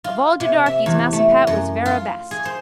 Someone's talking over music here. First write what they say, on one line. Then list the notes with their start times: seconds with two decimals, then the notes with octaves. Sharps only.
Of all de darkies Massa Pat was verra best.
0.04 F4
0.40 C3
0.66 E5
0.86 E2
1.13 A3
1.47 F#2
1.86 F4
2.31 G#4
2.45 C5